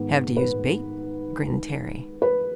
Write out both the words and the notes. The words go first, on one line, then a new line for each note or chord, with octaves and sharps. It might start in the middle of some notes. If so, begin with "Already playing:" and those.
"Have to use bait," grinned Terry.
Already playing: G#2 D#3 B3
B4
B4